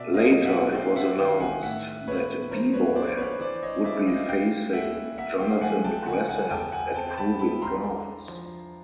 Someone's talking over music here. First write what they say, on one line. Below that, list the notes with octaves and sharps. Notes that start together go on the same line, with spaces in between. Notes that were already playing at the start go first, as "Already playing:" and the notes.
Later, it was announced that B-Boy would be facing Jonathan Gresham at Proving Grounds.
Already playing: B2 D5 E5
D#5 F5
F#3
E5 F#5
C4 F5 G5
E5 F#5
D#3 F5 G5
F#5 G#5
A2 E5 F#5
G#3 B4 C#5
F3 A#4 C5
B4 C#5
D4 C5 D5
C5
B4 C#5
E3 C5 D5
C#5 D#5
E3 D5 E5
D#5 F5
G#3 F5 G5
C#4 E5 F#5
A#3 E5 F#5
F5 G5
F3 F#5 G#5
G5 A5
C#3 F#5 G#5
F#5 G#5
E2 G5 A5
F#5 G#5
C4 G5 A5
A5 B5
E4 A5 B5
A#5 C6
D4
F3